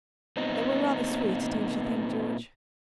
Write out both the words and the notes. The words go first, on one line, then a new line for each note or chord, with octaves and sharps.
"They were rather sweet, don't you think, George?"
A#2 B3 C4 D#4